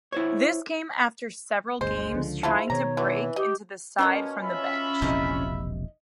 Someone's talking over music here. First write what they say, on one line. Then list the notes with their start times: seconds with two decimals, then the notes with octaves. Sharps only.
This came after several games trying to break into the side from the bench.
0.12 E4 C5 C#5
1.81 G1 D2 G#3 C5
2.13 C#2 D3 F3
2.43 G#2 E4 F4 A4
2.70 B2 D#3 B3 C#5 A#5
2.97 D3 E3
3.36 G4 D#5
3.98 B2 F3 A#3 C#4
4.42 F4 E5 B5
5.02 E1 A#1 C3 D#4 E4 D#5